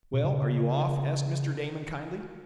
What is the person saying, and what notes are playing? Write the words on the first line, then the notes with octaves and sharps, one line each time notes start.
"Well, are you off?" asked Mr. Damon, kindly.
B2
C#3